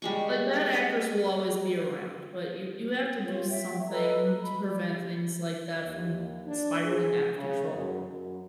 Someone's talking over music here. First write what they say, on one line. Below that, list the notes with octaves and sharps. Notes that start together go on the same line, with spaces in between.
Like, bad actors will always be around, but you you have to do something to prevent things like that from spiraling out of control,
G3 G#3 C#6
F4 C#5
E5 G5
A4 B4 D#5 A#5
B4
B5
G4 D5
D#2
D4
G#4
C#3
F#2
F#2